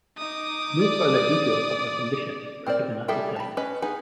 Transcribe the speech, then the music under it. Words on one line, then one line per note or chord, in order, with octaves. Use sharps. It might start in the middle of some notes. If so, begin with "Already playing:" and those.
No further details of her condition were given at the time.
D#4 D6 D#6
D5
C4 A#4 C5 D5
G3 G#4 A4 E5 G5
A5 B5
C#4 B4 D#5
B3 D#4 G#4 B4 G#5